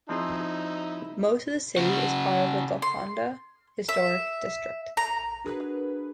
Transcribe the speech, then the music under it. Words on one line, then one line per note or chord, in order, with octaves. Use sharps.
Most of the city is part of the Golconda Historic District.
F3 C4 D#4 E4 G#4
C#3 F#4
C6
E5
A#5
D4 F#4 G#4 A#4 B4